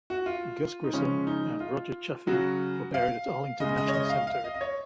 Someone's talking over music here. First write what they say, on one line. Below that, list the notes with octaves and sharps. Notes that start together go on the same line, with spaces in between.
Gus Grissom and Roger Chaffee were buried at Arlington National Cemetery.
F#4
F4
D#4
C#3 F3 G#3 C#4
D#4
F4
C#3 F#3 F#4
F5
C#3 G#3 D#5
D#5
C#5
D#5
D#5
F5
F5
D#5
D#5
C#5